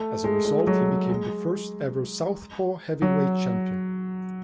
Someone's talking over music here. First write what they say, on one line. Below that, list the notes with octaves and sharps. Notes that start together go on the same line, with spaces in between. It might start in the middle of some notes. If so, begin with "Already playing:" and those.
As a result, he became the first-ever southpaw heavyweight champion.
Already playing: A3
G#3
G#3
F#3
G#3
G#3
F#3